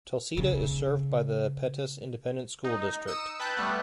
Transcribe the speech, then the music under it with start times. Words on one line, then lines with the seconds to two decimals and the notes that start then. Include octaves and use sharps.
Tulsita is served by the Pettus Independent School District.
0.37 C#3
2.64 D#4
3.08 D#6 E6 C#7 E7
3.40 B4 G5 A5 F#6 G6
3.57 G3 A3 B3